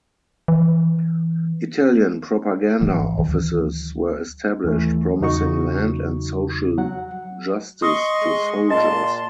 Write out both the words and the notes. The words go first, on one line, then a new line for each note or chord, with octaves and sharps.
Italian propaganda offices were established, promising land and social justice to soldiers.
E3
G#1 G#2 E3 F#3
D2 D#3 E3 F#3
D#2 E3 A3
E2 C#3 F#3 D#4 F#4 C#6
F#3 F#5
D#5 C6 C#6 D#6
G#3
A#2 D#5 A5 C6